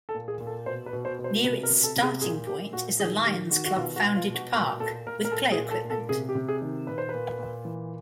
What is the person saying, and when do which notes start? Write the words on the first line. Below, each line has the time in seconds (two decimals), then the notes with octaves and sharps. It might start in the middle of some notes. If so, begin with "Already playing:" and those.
Near its starting point is a Lions Club founded park, with play equipment.
0.09 A4
0.15 A#2
0.28 G#4
0.40 A#2
0.47 A4
0.66 B2 C5
0.86 B4
0.93 B2
1.05 C5
1.19 B2
1.24 C5
1.44 C3 B4
1.63 A#4
1.70 C3
1.83 A4
1.96 C3
2.03 G#4
2.22 A#2 G#4
2.47 A#2 G4
2.73 A#2 F#4
3.00 D#3 G#4
3.25 D#3 G4
3.51 D#3 F#4
3.65 F#4
3.76 B2 F4
3.96 F#4
4.03 B2
4.15 F4
4.29 B2
4.34 F#4
4.54 A#2 A#4
4.80 A#2 A4
5.06 A#2 A#4
5.25 A#4
5.32 A#2 A4
5.52 G#4
5.58 A#2
5.71 A4
5.84 A#2
5.90 A4
6.09 C3 G#4
6.29 G4
6.35 C3
6.48 G#4
6.62 D#3
6.87 A#2 B4
6.98 C5
7.09 A#2 B4
7.39 A#2
7.65 E3